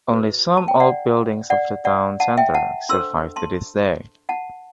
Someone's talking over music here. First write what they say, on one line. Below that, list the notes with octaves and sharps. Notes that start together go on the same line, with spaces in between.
Only some old buildings of the town centre survived to this day.
F#4 B4
A5
G5
D5 F#5
D5 F#5
D5 F#5
F#5 A5
E5 G5
F#5 A5
D4 A4 C5 C6 E6
A5 C6
F#5 A5